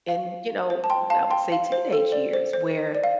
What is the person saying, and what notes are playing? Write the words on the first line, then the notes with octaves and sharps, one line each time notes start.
in you know, I would say teenage years where
F5
C5
A5
G5 C6
F5 A5
G5 C6
F5
C5
A4
D5
C5
C5
D5
F5